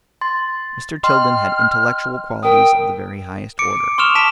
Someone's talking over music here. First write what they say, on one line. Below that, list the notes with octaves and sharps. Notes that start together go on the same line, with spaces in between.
Mr. Tilden had intellectual qualities of the very highest order.
C6 A6
D#5 G5 C6 F6
A#4 G5 D#6
D6 C#7 D7
C6 C#6 D#6 F6 E7 F7
A5 B6 D7 E7